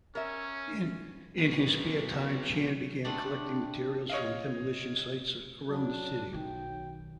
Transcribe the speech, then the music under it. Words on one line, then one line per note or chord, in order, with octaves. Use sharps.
In his spare time, Chand began collecting materials from demolition sites around the city.
C#4 A#4 E5
F#3 B3
A3 B3 C4 D4
C#5 D#5 F5
F#3 D4
B1 D#3 F#3 G5